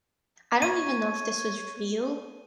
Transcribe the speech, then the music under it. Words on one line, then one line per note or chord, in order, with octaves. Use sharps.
I don't even know if this was real,
C#5 D#7